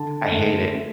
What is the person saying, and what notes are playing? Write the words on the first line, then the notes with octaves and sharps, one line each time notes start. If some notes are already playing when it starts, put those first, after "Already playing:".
I hate it.
Already playing: D3 A5
A3
A3